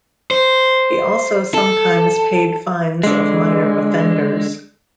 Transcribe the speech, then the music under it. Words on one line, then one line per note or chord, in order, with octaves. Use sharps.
He also sometimes paid fines of minor offenders.
C5
A4
D3 G#3